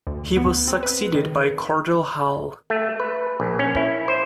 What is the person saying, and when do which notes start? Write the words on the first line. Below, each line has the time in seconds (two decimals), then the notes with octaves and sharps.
He was succeeded by Cordell Hull.
0.07 D2
0.37 B3
0.68 C4
0.83 B4
1.15 D#3
2.70 A3
3.00 B4
3.40 A#1
3.59 C#4
3.76 E4
4.08 C5